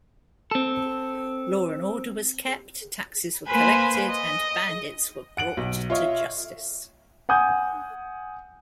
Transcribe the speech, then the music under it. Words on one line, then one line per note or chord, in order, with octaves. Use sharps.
Law and order was kept, taxes were collected and bandits were brought to justice.
C4 A4
A#3 B4 C5 G#5 B5
D#5
F#5 D7 F#7
B1
F4 C#5 D#5 E5
F#5 G#5 D#6 G6